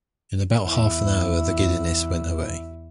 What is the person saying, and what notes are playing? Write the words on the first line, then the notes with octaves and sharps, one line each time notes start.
In about half an hour the giddiness went away.
E2 E4